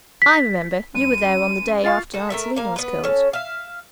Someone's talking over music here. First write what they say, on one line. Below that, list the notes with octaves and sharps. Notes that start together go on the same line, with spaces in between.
"I remember; you were there on the day after Aunt Selina was killed."
B6
F#2 D#7
F4 F5 C#6 A6
F#4 A4
A3 A#4 E5
A#3 F5
B3 B4
C#4 A4
E5 F5